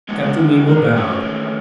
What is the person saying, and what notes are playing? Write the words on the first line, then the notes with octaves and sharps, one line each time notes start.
Captain Nemo bowed.
F#3 G#3 B3
G#3 B3
E2
D#3 G#3
E2 A3 C#4
D#3 G#3